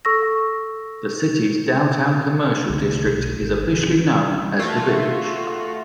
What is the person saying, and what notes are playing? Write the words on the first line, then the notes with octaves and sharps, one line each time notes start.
The city's downtown commercial district is officially known as "The Village".
A4 C#6 E6 A#6
C2 D3 G#3 A3
B1
G#1
D#3 C#4
A3 F4 F#4